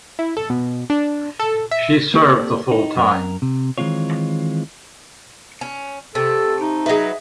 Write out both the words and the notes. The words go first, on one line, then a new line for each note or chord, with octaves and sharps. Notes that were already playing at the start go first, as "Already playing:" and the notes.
She served the full time.
E4
A4
B2
D4
A4
E5
A#3 G4 A4 D5
D#4
F#2 A#4
C3
D#3 E3 G#3 C4 F4 C#5
C#4
C3 A3 A4
D#4
F#3 G#4 B4 D#5 E5